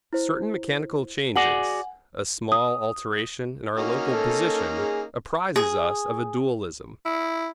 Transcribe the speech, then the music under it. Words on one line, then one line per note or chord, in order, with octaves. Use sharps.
Certain mechanical changes, a small alteration in our local position apprizes us of a dualism.
E4 C5
F#4 G#4 D5 F#5 G#5 F#7
D#6
A#3 C#4 D#4 F#4
A4
G#4
G#4
E4